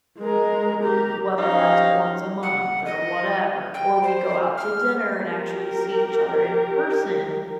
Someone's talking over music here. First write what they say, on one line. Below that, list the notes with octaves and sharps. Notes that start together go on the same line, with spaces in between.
w whether that's once a month, or whatever, or we go out to dinner and actually see each other in person
G#3 A#4
G4 A#4
F3 C#4 D#4 G4 F5
F#5
D#5
G5
C5
F6
G4 A#4